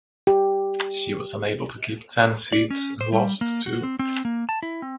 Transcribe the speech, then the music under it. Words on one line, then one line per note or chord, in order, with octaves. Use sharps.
She was unable to keep ten seats and lost two.
G4
D5
C#4
C5
G3
A#3
F#4
C4
C4
A#3
A5
E4
C4